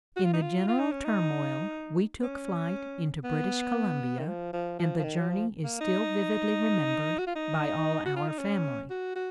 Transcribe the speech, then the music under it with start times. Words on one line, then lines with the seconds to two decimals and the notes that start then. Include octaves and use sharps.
In the general turmoil, we took flight into British Columbia, and the journey is still vividly remembered by all our family.
0.16 F#4
0.25 F4
0.34 D#4
0.42 F4
0.68 F4
0.79 D#4
0.92 C#4
1.05 D#4
2.22 C#4
3.24 B3
4.19 D#3
4.28 F3
4.53 F3
4.79 F3
4.99 F3
5.04 D#3
5.18 F#3
5.30 F3
5.64 A#3
5.81 D#4
7.18 F#4
7.27 F4
7.36 D#4
8.06 F#4
8.16 F4
8.28 D#4
8.39 C#4
8.90 F#4
9.16 F#4